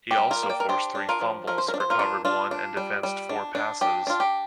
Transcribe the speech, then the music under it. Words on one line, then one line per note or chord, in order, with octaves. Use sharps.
He also forced three fumbles, recovered one and defensed four passes.
G4
G3
F4 A#4
A#3
D5 G5
A#4
D4 G4 C5
D4
F4 A#4
F3
F3 A#4
C5
A#4
D4
C5
F4 A#4
D4
D4 F4
D4
G3
G3
D4
D4
D4 G4
D4 F4
G4